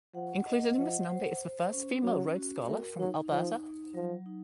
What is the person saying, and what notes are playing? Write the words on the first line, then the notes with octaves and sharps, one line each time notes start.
Included in this number is the first female Rhodes scholar from Alberta.
F3 F#5
D#5
F3 F#5
C5
C5
C#4
F#3 C#4
F#4
A3 A#4
F#3 D#4
F3 D#4
D#4
F3 F#3
D#4